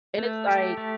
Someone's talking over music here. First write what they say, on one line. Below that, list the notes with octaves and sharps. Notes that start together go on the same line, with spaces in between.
and it's, like,
A3 A4
G4
A3